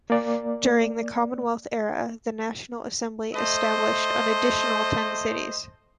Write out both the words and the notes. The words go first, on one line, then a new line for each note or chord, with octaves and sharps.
During the Commonwealth era, the National Assembly established an additional ten cities.
A#3 D5
A3 C5 D#5